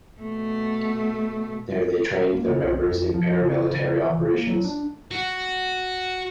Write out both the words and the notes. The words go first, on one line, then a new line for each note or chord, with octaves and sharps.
There they trained their members in paramilitary operations.
B2 A3
A#3
C#3
B1
F2
F3
C#3
C#3
E3
C3
A#3
F#3
D4
F#4